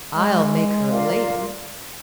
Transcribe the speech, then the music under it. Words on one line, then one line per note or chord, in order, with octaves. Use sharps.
"I'll make her a lady."
G#3
F4 A#4 D5 F5